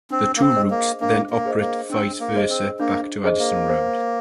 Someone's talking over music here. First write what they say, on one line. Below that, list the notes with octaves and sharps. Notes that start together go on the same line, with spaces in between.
The two routes then operate vice versa back to Addison Road.
C4 D4
A#3
C4
G#4 C5 D#5
A#3
A#3 D4
A#3
G#4 C5 D#5
A#3
C4 D4
A#3
G#4 C5 D#5
C4
A#3 D4
G#4 C5 D#5
A#3
C5